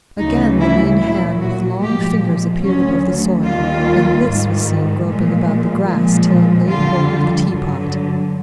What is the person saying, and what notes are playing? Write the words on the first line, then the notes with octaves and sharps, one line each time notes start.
Again the lean hand with long fingers appeared above the soil, and this was seen groping about the grass till it laid hold of the teapot.
D2 C#3 E3 G3 D#4
E4
A#2 F#3 E4
F#4
A#2 F3 G#3 G4
D2 D3 F#3 C#4
D#2 D#3 G3 F4
G#2 D#3 G3
A#2 F3 G#3
A#2 F3 G#3
F2 D3 G3 F4
G2 D3 F#3